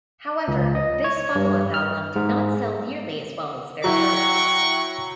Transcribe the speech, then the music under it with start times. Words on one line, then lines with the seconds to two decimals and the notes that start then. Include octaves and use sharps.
However, this follow-up album did not sell nearly as well as their first.
0.48 C#2
0.75 D#5
1.04 C#5
1.35 G2
1.74 F6
2.16 G#2
3.84 F#3 E4 F#5 G5 C#6